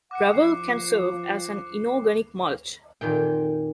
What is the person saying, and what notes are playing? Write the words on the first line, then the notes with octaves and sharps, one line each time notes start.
Gravel can serve as an inorganic mulch.
F#5 D6 F#6 C#7
F3 C7
F2 A#2 D#3 G5